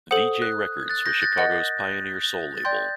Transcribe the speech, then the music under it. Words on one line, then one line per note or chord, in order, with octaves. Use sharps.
Vee-Jay Records was Chicago's pioneer soul label.
A4 C5 F#5 D#6
F#6
F#6 A6
G6 A#6
F#6 A6
A#4 D#5 F#5
A6
D5 G5 C6 G6